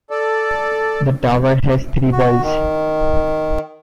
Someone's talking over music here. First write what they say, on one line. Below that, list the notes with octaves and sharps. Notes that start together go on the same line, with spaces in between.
The tower has three bells.
A4 D5
F#4
D#3